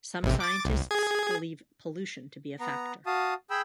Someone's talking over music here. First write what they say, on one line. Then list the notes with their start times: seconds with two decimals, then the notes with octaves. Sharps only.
Some scientists believe pollution to be a factor.
0.23 A1 C3
0.40 D6 A6
0.65 C2
0.91 G#4 G#6
2.60 B3 A#5
3.06 F#4 F5 A5 D#6
3.50 G#4 G5 B5 E6